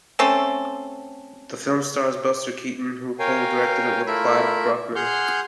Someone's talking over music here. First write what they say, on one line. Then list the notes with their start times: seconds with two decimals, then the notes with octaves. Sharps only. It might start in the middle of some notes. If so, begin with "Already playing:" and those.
The film stars Buster Keaton who co-directed it with Clyde Bruckman.
0.19 A3 C4 C#4 A4
3.19 A#4 C#5 F5 G5 G#5
4.07 A3 E4 F4 A#4 E5 B5
4.96 G#4 F#5 C6 F6 G6